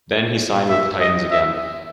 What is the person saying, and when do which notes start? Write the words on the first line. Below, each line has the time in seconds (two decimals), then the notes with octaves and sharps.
Then, he signed with the Titans again.
0.69 E5
1.00 D#5
1.31 E5